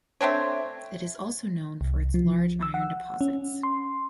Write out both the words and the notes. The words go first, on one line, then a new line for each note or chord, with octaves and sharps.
It is also known for its large iron deposits.
A3 C4 D4 C#5
C2
F3
E6
F#5
C#4
C6